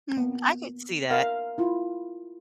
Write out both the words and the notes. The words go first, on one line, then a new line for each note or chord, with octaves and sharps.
Mm, I could see that.
A#3 B3
A#4 E5 F5 A#5
E4 F4